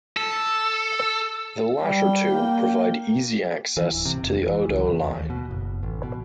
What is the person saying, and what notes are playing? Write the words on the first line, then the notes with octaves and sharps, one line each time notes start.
The latter two provide easy access to the Oedo line.
A4
G3 G5
A#3
E3
D1
C3
F1
E3
C#2
E2
D#2
B2
F#1
A1
B2